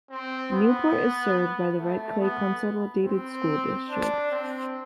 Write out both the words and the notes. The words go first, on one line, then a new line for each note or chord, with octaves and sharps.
Newport is served by the Red Clay Consolidated School District.
C4
B3
A3
B3
C4
D4
C4